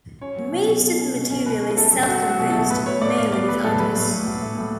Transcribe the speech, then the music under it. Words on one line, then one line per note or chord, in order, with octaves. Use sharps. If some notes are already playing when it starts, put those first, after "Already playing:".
Most of the material is self-composed, mainly with others.
C#4 C#5
F#3
B2
B2
B2
C#4
B2
C#4
B2 B4
C#4
A3 A4
F#3
F#3 F#4
F#3 F#4
B2
A3 A4
A2 B4
B3 C#5
A2 D5
A2 F5
B3 D5
F#3 B4
A2 A4
F#3 B4
A2
A2
F#3
A2
A2